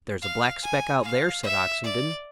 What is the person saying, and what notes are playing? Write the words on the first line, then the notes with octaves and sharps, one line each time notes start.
"There's a black speck out there," said Oxenden.
F5
G#5
F5
E5
D5